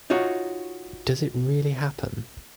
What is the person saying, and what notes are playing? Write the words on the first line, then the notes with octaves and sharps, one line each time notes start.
Does It Really Happen?
D#4 F4 F#4 C#5